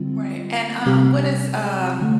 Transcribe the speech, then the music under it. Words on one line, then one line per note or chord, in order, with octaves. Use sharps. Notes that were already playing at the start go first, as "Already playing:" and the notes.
Right. And, um, what is um
Already playing: D3 G3 C4 F4
C3 G3 C4 G4
D3 A3